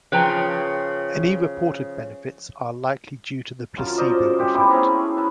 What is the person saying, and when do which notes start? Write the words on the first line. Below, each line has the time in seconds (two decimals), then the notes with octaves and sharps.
Any reported benefits are likely due to the placebo effect.
0.12 C#3 F3 B4 G5 A#5
3.77 F#2 F4 A#4 A5
3.98 A#4 C5 D5 D#5
4.38 G#3 G4
4.54 B3 E4 G4 C5
4.71 A3 C#4 G#4 A#4
5.17 A4 B4